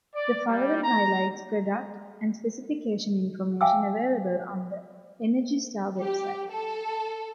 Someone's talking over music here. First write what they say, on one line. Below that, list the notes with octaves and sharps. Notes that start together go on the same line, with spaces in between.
The following highlights product and specification information available on the Energy Star website.
D5
G3
A#5
E5 F5 G5 G#5 D6 E6
G4
A4